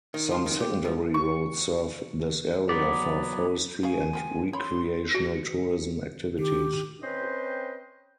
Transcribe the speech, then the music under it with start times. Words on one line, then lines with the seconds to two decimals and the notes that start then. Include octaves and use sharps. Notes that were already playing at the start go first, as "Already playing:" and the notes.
Some secondary roads serve this area for forestry and recreational tourism activities.
0.14 D#3
0.32 F4
0.46 D#3
0.60 G4
0.85 F3
1.14 C#6
2.69 F#3 B3 D5
3.83 C#4 G#4 F5 G#5
4.13 F3 A#4 G5
4.53 C#5 B5 C6
5.14 F#4 C#7
6.39 D#3 G4
7.03 C4 C#4 B4 C5 D#5 G5